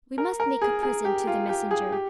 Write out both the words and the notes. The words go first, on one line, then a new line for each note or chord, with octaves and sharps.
"We must make a present to the messenger."
A#4
A#4
G#4
G#4
G4
F4
G4
G#4
G4